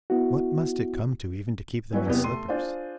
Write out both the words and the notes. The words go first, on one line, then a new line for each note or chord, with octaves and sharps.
What must it come to even to keep them in slippers.
B3 E4 F#4
E3 F#3 C#4 E4 B4
E2 C3 B3
A3 C6 D#7
D4 F4 G#4 C5